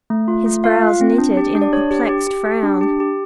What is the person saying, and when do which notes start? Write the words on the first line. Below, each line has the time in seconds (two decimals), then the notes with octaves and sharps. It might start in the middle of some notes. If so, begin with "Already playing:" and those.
His brows knitted in a perplexed frown.
0.10 A3
0.28 F4
0.46 A3
0.64 F4 F5
0.82 F4
1.01 C4
1.18 D4
1.37 G4
1.55 D4
1.61 D5
1.73 D4 C#5
1.91 G4
2.09 G4
2.27 G4
2.46 G4
2.63 D4
2.81 G4
3.00 G4